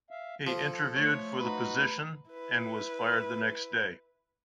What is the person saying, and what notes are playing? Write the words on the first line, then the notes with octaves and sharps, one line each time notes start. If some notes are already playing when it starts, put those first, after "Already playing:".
He interviewed for the position, and was fired the next day.
E5 F5
F3 A4
A3 C#5
D#4 F#4 B4
E4 B4